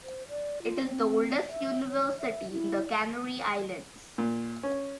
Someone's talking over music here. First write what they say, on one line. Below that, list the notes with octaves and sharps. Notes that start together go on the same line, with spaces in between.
It is the oldest university in the Canary Islands.
C5
D5
F4
C4
E5
C#5
E5
E4
A#2
C#4